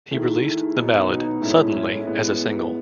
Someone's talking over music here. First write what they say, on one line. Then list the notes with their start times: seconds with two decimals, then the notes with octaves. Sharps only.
He released the ballad, "Suddenly" as a single.
0.11 D#3 A3 E4 G#4
0.44 D#3 A3 E4 G#4
0.76 B2 F#3 B3 D#4
1.08 B2 F#3 B3 D#4
1.40 A2 G#3 C#4 E4 A4
1.73 A2 G#3 C#4 E4 A4
2.05 A2 G#3 B3